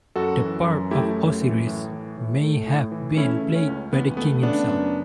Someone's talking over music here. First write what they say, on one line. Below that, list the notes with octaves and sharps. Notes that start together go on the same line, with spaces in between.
The part of Osiris may have been played by the king himself.
F#2 F#4 A4
E3
F#2
A3 E4 G4
F#2
E3
A2
E3
A2
A3
A2
E3
A3 C#4 E4
C#3
C#4
C#2
E3 B3
A3 B3
C#3 B3 D4
F#2